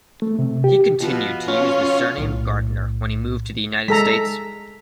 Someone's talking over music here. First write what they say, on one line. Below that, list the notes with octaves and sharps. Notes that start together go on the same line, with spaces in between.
He continued to use the surname Gardiner when he moved to the United States.
A3
C3
G4
B2 F3 B4
C#4 F4
B1 A2
G#3 A4 A#5 B6